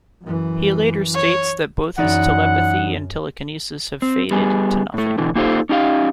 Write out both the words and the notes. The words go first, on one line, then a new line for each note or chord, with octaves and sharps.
He later states that both his telepathy and telekinesis have faded to nothing.
F#2 E3
C#5
F#2 E3 D#4 D5 F#5
C4
G3 B3 G#4
A2 A3
B2 D3 E3
A#3 D#4 F4 G4 A4 C5
C#4 D#4 G4 F5